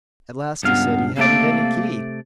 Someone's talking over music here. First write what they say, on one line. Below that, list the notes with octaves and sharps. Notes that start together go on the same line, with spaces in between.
At last he said he hadn't any key.
C#2 G2 B3 F5
C3 A3 A#3 D5